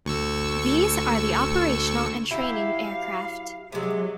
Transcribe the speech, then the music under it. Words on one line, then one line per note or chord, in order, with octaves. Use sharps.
These are the operational and training aircraft.
D2 C#6 E6
F#3 E4 G4 F5
C3 F#3 G#3